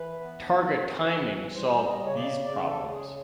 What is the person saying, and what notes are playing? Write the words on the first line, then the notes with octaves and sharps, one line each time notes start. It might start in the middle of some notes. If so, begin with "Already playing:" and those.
Targa timing solved these problems.
Already playing: E3 B4
B3
E3
E3
G3 C5
D#5
C#3 C#5
D5
C#3 D5
A4
C#3 G#4